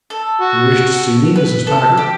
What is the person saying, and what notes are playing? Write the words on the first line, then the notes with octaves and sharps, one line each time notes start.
"You wish to see me, Mrs. Packard?"
A4
F#4
B4
A4
G4